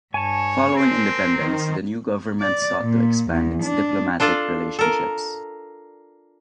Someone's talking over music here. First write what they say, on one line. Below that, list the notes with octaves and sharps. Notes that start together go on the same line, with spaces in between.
Following independence, the new government sought to expand its diplomatic relationships.
G2 C#5 G#5 A5
C4 A#4 C5
D#3
D5
A#2
E2
D4
D4 F4 A4 D5
A4 A#4